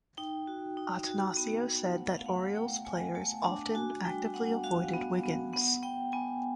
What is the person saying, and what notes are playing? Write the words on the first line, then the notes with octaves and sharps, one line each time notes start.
Attanasio said that Orioles players often actively avoided Wiggins.
D#4 G5
F#4
D#4
F#4
B3
B3
A3 F#5
F5
A3 F#5
A3 G5
A3 G#5
A3 A5
D4 A5
F#4 G#5
G3 G5
B3 F#5
F#4 F5
B3
B3
B3 F#5
B3 G5
B3 G#5